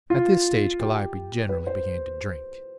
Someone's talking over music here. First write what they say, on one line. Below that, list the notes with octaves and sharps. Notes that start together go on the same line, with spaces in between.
At this stage Calliope generally began to drink.
F4
G4
B4
C5